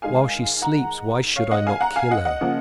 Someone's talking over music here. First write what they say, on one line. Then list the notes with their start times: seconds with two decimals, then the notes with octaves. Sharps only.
While she sleeps why should I not kill her?
0.02 D#3 G#3 D#4 F5 G#5
0.62 F#5 A#5
1.36 C#5 F5
1.51 D#5 F#5
1.67 F5 G#5
1.81 F#5 A#5
1.96 F5 G#5
2.11 D#5 F#5
2.25 D#5 F#5
2.41 C#3 F3 A#3